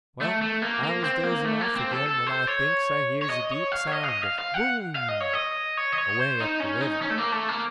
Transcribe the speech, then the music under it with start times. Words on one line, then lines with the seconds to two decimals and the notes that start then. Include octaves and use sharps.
Well, I was dozing off again when I thinks I hears a deep sound of "boom!" away up the river.
0.21 A3
0.42 A3
0.62 A#3
0.83 A#3
1.04 C4
1.24 A#3
1.45 A3
1.61 A#3
1.76 C4
1.92 A4
2.06 A4
2.27 C5
2.47 C#5
3.22 C#5
3.30 D#5
3.51 C#5
3.72 F5
3.87 C#5
3.92 D#5
4.03 F5
4.08 D#5
4.23 F5
4.39 F5
4.54 F#5
4.95 F5
5.09 D#5
5.20 C#5
5.33 D#5
5.77 C#5
5.92 D#5
5.98 C#5
6.19 C5
6.40 D#4
6.60 C#4
6.81 D#4
7.01 C#4
7.10 A3
7.18 A#3
7.32 A3
7.48 A#3